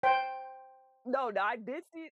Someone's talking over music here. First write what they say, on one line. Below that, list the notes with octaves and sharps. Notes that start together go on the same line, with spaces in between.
No, now I did see it
C5 G5